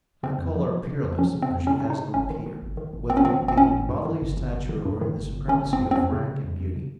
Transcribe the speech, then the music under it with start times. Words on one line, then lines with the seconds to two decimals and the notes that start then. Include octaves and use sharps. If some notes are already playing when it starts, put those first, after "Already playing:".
I call her peerless because she has no peer, whether it be in bodily stature or in the supremacy of rank and beauty.
0.23 C#3 C4
0.38 F2
0.56 F3
0.71 F3
0.87 C#3
1.03 F2
1.18 F3 C#4
1.35 C#3
1.42 C4
1.50 F2
1.67 C#3 C#4
1.80 C#3 C#4
1.90 D#4
1.98 C#3
2.14 G#1 C#4
2.30 D#3
2.46 D#3
2.62 G#1
2.77 D#3
2.93 G#1
3.10 G#1 C4
3.17 C#4
3.25 D#3 C4
3.42 G#1
3.48 C4
3.57 G#1 C#4
3.74 G#1
3.89 G2
4.05 D#3
4.22 G1
4.37 G1
4.54 G1
4.69 D#3
4.85 G2
5.01 D#3
5.17 G1
5.33 G1
5.48 D#3 C#4
5.65 G1
5.73 C4
5.81 G2
5.91 C4
5.96 F2 C#4
6.12 C#3
6.28 C#3
6.44 F2
6.60 F2
6.76 C#3